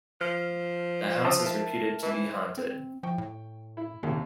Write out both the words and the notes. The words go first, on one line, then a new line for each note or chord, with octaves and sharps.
The house is reputed to be haunted.
F3 F6
A5 D#6 E6
A#4 E5 A5
E3
C4
F3 G5 C#6
A2
E4
D#2 C3 D#3